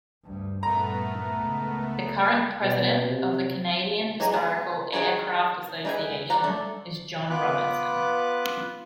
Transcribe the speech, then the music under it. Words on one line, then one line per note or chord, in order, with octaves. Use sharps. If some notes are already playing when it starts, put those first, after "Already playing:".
The current President of the Canadian Historical Aircraft Association is John Robinson.
D2 G2
G2 A#2 A3 B3 A#4 A#5
C#2
B2
C3
F#3 G#3 D#4 G#4 A#5
B3 G#4
D#3 F#4 G#4 C#5 B5
G#3 B4 E5 G5 G#5
G3 F#5 A#5
A3 D4 A4
B3 F4 B4 D6 F#6